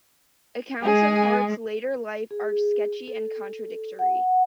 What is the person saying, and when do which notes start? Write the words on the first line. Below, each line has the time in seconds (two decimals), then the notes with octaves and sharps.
Accounts of Hart's later life are sketchy and contradictory.
0.83 G#3 G#4 G#5
2.31 G#4
3.08 A4
3.99 F#5